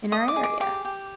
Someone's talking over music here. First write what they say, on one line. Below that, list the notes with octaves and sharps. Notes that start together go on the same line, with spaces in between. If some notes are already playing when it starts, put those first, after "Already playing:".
in our area?
D#5 D#6
D6
G#4
D6
G4 D6
G4